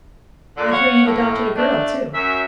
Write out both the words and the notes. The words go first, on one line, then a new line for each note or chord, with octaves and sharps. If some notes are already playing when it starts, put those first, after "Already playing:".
I hear you've adopted a girl, too.
A#2 D3
C#5 F5 F#5
A2
A3 D4
F#2 E5